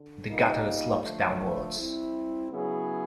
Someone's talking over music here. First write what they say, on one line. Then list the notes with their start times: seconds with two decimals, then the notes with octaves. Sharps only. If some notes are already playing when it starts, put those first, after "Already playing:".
The gutter sloped downwards.
Already playing: D3
0.27 A#2 G3 A#3 D#4
1.01 D3 F3 A3
1.75 G3 C4 E4
2.49 C#3 F#3 B3 E4 G#4